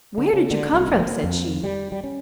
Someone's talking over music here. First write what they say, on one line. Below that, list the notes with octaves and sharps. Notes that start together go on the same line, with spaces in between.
"Where did you come from?" said she.
D3
C#3
D3
C2
F1
A#3
F2
G3
G3
C#4